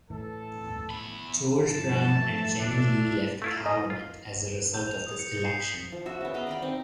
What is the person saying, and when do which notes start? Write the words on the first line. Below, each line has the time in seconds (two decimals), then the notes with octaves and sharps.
George Brown and Jennie Lee left Parliament as a result of this election.
0.10 A2 E3 A4
0.90 E2 B5
1.65 G2 E3 F3 A5
2.04 A3 E5
2.60 D4
3.42 A3 E4 F4
3.66 D#5
3.90 F4
4.74 G6
4.88 F7
5.07 D#6
5.19 C#7
5.33 C#7
5.45 C7
5.60 B6
5.92 F3
6.06 F#4 E5
6.21 C#3 B3
6.34 D#5 F5 A#5 B5
6.47 D5 G5 B5
6.62 C4 D#4